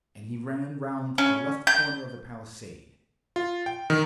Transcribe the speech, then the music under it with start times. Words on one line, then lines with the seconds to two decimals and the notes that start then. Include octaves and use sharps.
And he ran round the left corner of the palisade.
1.18 C#4
1.67 G6
3.36 F4
3.66 G5
3.90 D#3